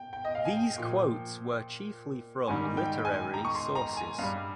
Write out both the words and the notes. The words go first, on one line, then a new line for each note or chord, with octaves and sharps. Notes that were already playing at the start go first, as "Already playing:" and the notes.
These quotes were chiefly from literary sources.
Already playing: G5
G5
D#5
F5
G#5
G5
A#2 F3
G#2 D#3 G3 G#5
G5
G#5
A#5
C#6
C6
A#5
G#5
G2 G3 F5